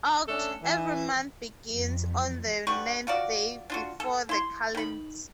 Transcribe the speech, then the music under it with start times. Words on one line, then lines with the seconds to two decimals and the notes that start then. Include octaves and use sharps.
Oct. Every month begins on the ninth day before the kalends.
0.28 A3 C#4 D4 A4
0.63 E3
1.70 F2
2.67 D3 G3 B4 C#6
3.07 F4 F#4 A#4 D5
3.70 D4 F4 F#4
4.00 A4
4.29 E4 C6
4.75 D#3 B5